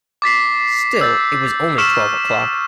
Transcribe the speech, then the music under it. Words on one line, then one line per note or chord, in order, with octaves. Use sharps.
Still it was only twelve o’clock.
D6 A6 B6 C7
E6 G6 A6
C#6 E6 F6 B6 E7